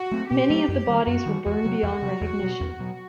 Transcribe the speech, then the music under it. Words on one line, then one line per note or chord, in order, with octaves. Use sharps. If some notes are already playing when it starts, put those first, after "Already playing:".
Many of the bodies were burned beyond recognition.
Already playing: F#4
F#3 A3 C4
B2 G4
F#3 A3 C4
F#2
D#3 G3
F#2 F#4
D#3 G3
E2 F#4
C3 F#3
E2
C3 F#3
E2
B2 F#3
E2
B2 F#3